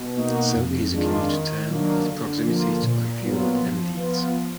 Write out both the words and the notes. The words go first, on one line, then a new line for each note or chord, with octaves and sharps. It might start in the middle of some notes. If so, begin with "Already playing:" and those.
Selby is a commuter town with proximity to both York and Leeds.
Already playing: B2
A#3 D#4 F#4
F2
D#3 G#3 D4 F4
D#3
F#3 A#3 D4
D3
F3 A#3 F4
A#2
F#3 B3 F4
F3
B3 F4
F3